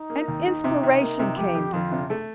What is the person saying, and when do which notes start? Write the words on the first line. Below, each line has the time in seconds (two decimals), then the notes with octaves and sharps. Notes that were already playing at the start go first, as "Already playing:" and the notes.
An inspiration came to her.
Already playing: D#4
0.10 A#3
0.28 D#2
0.46 D#3
0.64 C3
0.83 C3
1.01 A#3
1.19 C3
1.37 F2 G4
1.55 F2
1.73 F2 F4
1.92 C3
2.10 A3